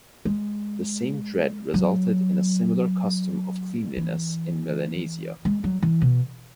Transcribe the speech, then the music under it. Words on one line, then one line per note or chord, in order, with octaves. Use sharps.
The same dread resulted in a similar custom of cleanliness in Melanesia.
G#3
F#3
E3
G#3
F#3
E3
B2